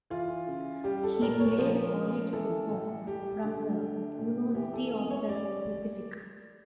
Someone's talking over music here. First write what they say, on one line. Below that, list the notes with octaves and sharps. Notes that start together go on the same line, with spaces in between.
He played college football from the University of the Pacific.
E3 F4
C#3
G3 G4
A4
A#2 A#4
C#5
F3 A#4
C#3
E3 A4
A2
G3 G4
D3
A3
A#2
E3 G4
A4
C#3
C#5
G3 D5